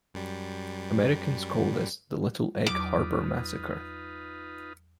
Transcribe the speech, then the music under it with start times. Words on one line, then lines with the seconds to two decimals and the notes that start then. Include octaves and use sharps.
Americans call this the Little Egg Harbor massacre.
0.14 F#2 G3
2.67 E2 F#3 D#4 F4 B4 D6